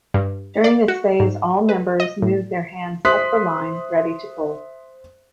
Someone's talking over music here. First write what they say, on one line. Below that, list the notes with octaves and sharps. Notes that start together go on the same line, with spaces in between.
During this phase all members move their hands up the line ready to pull.
G2
D5
F#4
G#2
B4
D#5
A2
C5 E5 C6 D#6 F#6 B6